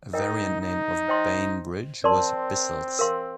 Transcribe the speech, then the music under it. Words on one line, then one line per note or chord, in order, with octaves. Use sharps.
A variant name of Bainbridge was "Bissells".
D#4 A#4 D#5 G5
D#4
C5 D#5 G5 C6
C4 A#4 D5 A5 C6
A#4 F5 C6